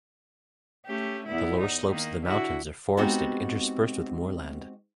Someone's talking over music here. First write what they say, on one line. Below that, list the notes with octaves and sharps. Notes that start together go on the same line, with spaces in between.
The lower slopes of the mountains are forested interspersed with moorland.
A3 C#4 G4
E2 B3 E4
D#4
D#3 A#3
D3 E4 F#4
G#3 B3 C4 D#4 F#4 G4